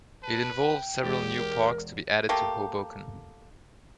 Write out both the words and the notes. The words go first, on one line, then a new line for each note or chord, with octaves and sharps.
It involves several new parks to be added to Hoboken.
B4 A5
G5
E1 G#3 G4 A6
A#4
A3 A#3 G4